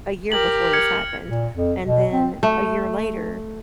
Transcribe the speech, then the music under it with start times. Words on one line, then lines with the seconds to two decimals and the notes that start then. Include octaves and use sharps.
a year before this happened. And then a year later,
0.32 G4 A#4 F#7
0.73 F6 G#6 C#7
1.27 A#2
1.53 F2
1.85 B2
2.11 C4
2.43 A3